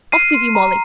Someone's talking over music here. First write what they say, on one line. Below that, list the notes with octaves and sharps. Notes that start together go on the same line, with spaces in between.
Off with you, Molly.
F6 C7 D#7
C6
A#5